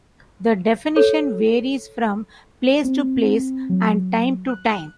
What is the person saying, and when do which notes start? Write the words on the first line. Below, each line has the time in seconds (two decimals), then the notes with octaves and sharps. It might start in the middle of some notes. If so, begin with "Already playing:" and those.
The definition varies from place to place and time to time.
0.96 A4 C#5
2.84 C4
3.69 F#3
4.49 F#6